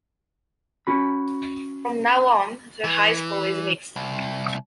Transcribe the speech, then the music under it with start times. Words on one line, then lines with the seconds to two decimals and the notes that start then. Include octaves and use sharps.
From now on the high school is mixed.
0.87 C#4 F#4 B5
2.84 E3
3.96 C2